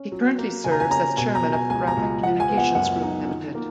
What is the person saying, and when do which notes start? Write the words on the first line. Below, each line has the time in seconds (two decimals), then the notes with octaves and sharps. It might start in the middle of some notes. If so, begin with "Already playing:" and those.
He currently serves as Chairman of the Graphic Communications Group Limited.
Already playing: C#4
0.12 F#3
0.38 A#3
0.64 C#3 G#5
0.72 A#5
0.80 G#5
0.90 C#4 A#5
1.17 B2 G#5
1.35 A#5
1.44 F#3
1.53 G#5
1.70 C#2 G#5
1.87 A#5
1.97 C#2
2.23 F3 F#5
2.40 G#5
2.49 B3
2.58 F#5
2.75 F#2 F#5
3.02 D#4
3.28 D#3
3.55 A#3